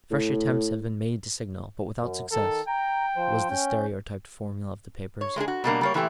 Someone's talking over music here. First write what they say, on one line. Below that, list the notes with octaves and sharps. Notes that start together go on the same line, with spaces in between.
"Fresh attempts have been made to signal, but without success," was the stereotyped formula of the papers.
A2
F#2
D#3 A4
G5 A#5
F3 C5
C#4 G6
C#5
G#3 A3 D4 G#4
F#4
B2 G3 A#3 D4
G3 A#3 C#5
A#2 E3 A3 E4 G4